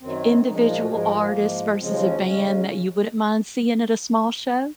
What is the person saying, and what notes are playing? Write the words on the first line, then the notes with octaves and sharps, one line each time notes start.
individual artist versus a band that you wouldn't mind seeing at a small show?
F#2 D#3 F#3 C4
C4
A#2 F3 G#3 D#4
D#4
F4
F#4
G#2 F3 G#3 G#4
A#4
G#4
A#3
G#2 F3 G#3
D#2 C#3 F3 G#3 C4
C4
C#4
D#2 C#3 G#3 C#4